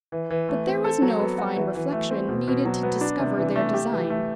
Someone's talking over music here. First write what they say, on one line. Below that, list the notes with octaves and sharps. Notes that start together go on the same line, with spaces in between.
But there was no fine reflection needed to discover their design.
E3
E3
A3
C4
A4
F#3
B3
F#4
E3
E3
A3
C4
B2
B2
F#3
B3
D4
C3
E3
A3
G4
E3
A3